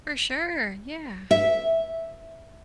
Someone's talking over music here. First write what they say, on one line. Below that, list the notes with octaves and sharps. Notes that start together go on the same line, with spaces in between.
For sure, yeah.
E5